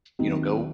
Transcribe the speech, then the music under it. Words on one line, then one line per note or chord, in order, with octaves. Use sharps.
You know, go
D#2 D#3 F#3 C4 D#4